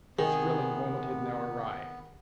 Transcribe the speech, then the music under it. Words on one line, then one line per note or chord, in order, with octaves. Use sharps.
The thrilling moment had now arrived.
C3 D#3 B3 G#4